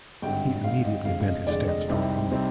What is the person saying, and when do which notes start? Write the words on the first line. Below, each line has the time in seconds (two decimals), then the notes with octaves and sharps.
He immediately bent his steps toward home.
0.22 G#1 G2 D3 G5
0.64 G#1 G2 D3 F5
0.85 D#5
1.05 F1 F2 D3 G#3 F5
1.20 F5
1.26 D#5
1.47 F1 F2 D3 G#3 D5
1.68 D#5
1.88 C2 C3 G3 C4 D#4
2.30 C3 G3 C4 D#4